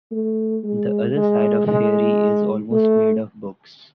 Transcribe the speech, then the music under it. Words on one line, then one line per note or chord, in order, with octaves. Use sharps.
The other side of Fairey is almost made of books.
A3
G#3
G#3
G#3
A3